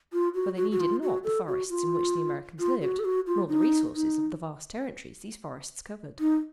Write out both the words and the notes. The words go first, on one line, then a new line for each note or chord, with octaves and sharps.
For they needed not the forests in which the Americans lived, nor the resources of the vast territories these forests covered.
F4
F#4
F#4
F#4
F4
F#4
A4
F#4
F4
F4
F#4
A4
F#4
F4
D#4
D#4
D#4